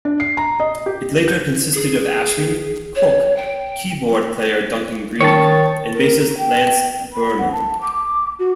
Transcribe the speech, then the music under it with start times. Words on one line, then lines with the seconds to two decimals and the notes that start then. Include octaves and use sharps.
It later consisted of Ashman, Cook, keyboard player Duncan Grieg, and bassist Lance Burman.
0.05 D4
0.20 C7
0.37 A#5
0.60 D#5
0.86 G4
1.28 G6
1.74 G#4
2.95 C#5
3.36 G5
5.21 D#3 C#5 A5
5.95 A#4
6.38 G5
7.13 B5
7.38 F#5
7.52 A5
7.81 D6
8.39 F#4